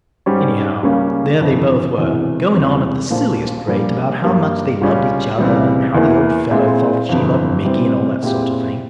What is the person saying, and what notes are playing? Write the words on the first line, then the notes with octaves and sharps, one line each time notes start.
Anyhow, there they both were, going on at the silliest rate about how much they loved each other and how the Old Fellow thought she loved Micky and all that sort of thing.
G#2 G3 C#4 G4
C#2 C#3 G3 A#3 C#4
G1 F2 E3
E1 E2 C3 E3
E1 E2 C3 G3 C4
A#1 A#2 F3 A#3
A#1 A#2 G3 A#3
G2 G3 A#3
C#2 C#3 G3 C#4 F4
C#2 C3 E3 G3
E2 E3 A#3 E4
A#2 G#3 C4 E4
G1 F2 E3
C3 E3 G3 C4
A#2 G#3 C4 E4 G4